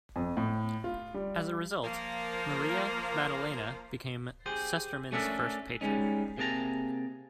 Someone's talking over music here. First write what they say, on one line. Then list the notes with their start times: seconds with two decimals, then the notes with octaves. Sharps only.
As a result, Maria Maddalena became Sustermans' first patron.
0.16 F2
0.37 A2
0.84 F4
1.14 G3
1.84 F3 A#3
4.46 G4 G#4 C5
5.12 A3 C#4 D4 A4 A#4 E5
5.81 G3 G#3 C#4 D#4
6.37 C3 A#3 G#4 A5 A#5